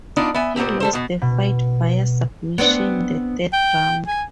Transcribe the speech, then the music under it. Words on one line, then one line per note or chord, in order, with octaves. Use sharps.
He lost the fight via submission the third round.
B3 D4 D#4 F4 D5
B3 E5 G#5
A#2 B3 C4 G4
G3 A4 C5
B2 B3
B2
B3 C4 D4
G5
G#5